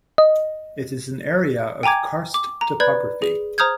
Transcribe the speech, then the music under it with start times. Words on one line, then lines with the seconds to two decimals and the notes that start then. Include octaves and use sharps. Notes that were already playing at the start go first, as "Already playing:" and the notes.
It is an area of karst topography.
0.18 D#5
1.83 G5 G#5 A#5 D6 G#6
2.34 D6
2.61 A#5
2.80 B4 D5 B5 G6 G#6
3.22 G#4
3.58 C5 A#5 D#6 F6 G6 G#6